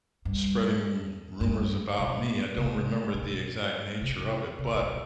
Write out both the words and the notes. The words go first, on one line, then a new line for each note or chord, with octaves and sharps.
spreading rumors about me, I don't remember the exact nature of it, but,
G2
G2
B2
C3
B2
C3
C3
B2